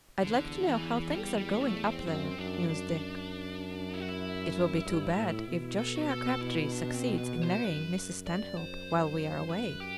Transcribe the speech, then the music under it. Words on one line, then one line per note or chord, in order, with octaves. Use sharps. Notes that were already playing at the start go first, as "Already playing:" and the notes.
"I'd like to know how things are going up there," mused Dick. "It will be too bad if Josiah Crabtree succeeds in marrying Mrs. Stanhope while we are away."
E2 D3
E3
G3
G3
A3
C4
F#2 C4
F#2 D4
F#2 D4
E4
F#4
E4
G2
A2
B2
A4
F#4
G4
A4
E4
D4
C4
B4
C5
F#2 B4
D5
C5
B4
G4